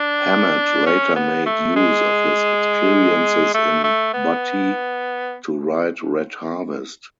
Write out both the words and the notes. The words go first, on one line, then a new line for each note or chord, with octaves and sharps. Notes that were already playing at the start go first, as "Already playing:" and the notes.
Hammett later made use of his experiences in Butte to write Red Harvest.
Already playing: D4
C#4
B3
A3
G#3
A3
A3
B3